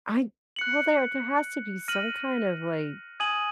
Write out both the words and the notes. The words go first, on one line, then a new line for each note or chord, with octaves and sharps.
I well there there has to be some kind of, like
F#6 C#7 F#7
F6 A#6 D#7 F#7
G#5 D#6 G#6 D#7 F#7